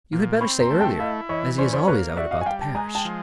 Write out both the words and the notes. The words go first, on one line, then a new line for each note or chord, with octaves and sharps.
"You had better say earlier, as he is always out about the parish."
A#2
C4 B5 C#6
A#5 C6
A3
G5 A5
E4 D#5 F5
E3 C#5 D#5
C#4 C5 D5
C5 D5
A#3 B4 C#5
F#4 D5 E5
D#5 F5
G#5
G3 F5 G5
G5 A5
G#3 G#5 A#5
G5 A5
F3